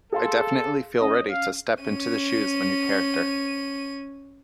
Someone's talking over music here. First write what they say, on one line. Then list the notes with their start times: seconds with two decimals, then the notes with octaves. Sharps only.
I definitely feel ready to step into the shoes of a new character.
0.12 G#4 A4 F5 C6
1.01 C#4 D#5
1.30 F5
1.83 C#4 D#7